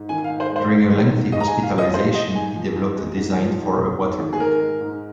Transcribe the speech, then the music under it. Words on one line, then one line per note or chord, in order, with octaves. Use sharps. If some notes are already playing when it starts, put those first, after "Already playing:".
During a lengthy hospitalization, he developed a design for a waterbed.
Already playing: G#2
D#3 G#5
F5
G#2
C5
G#3
C5
G#2
D#3
G#2
G#3 D#5
A#5
G#5
G#2
F5
F3 D#5
G#2 C5
G#3 D#5
G#2 G#5
F3
G#2
G#3
G#2
F3
G#2
G#3
G#2
D#3
G#4
G#2 A#4
G#3
G#2